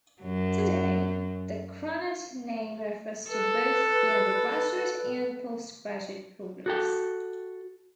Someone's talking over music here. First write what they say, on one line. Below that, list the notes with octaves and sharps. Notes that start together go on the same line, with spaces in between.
Today, the Krannert name refers to both the undergraduate and post-graduate programs.
F#2 F#3
A4 B4
F#4 A4 G5